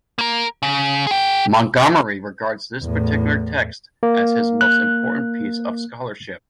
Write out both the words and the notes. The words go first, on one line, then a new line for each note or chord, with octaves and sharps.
Montgomery regards this particular text as his most important piece of scholarship.
A#3 A#4
C#3
G#4 G5
E2 A2
A#3
F#6